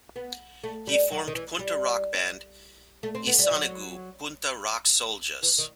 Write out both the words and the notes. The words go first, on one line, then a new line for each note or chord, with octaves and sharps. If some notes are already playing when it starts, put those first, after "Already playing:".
He formed punta rock band Isanigu Punta Rock Soul-Jahs.
B3
A3
G3
F#3
D#3
E3
G3
A3
C4
B3
G3
F#3
E3
D#3